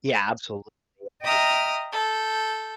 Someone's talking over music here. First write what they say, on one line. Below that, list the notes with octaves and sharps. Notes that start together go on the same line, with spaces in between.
Yeah, absolutely. I think
D#5 E5 G5 A#5 D#6 F6
A4 G6